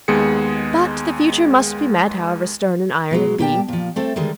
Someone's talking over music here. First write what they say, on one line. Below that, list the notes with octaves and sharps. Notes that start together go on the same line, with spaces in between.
But the future must be met, however stern and iron it be.
D#2 G#3 B3 G#4 C#7
B2 F#3 G#3
A#2 G4 G5 A5
A#2 F3
A3 C4 A4
D3 D#3 G3 G#3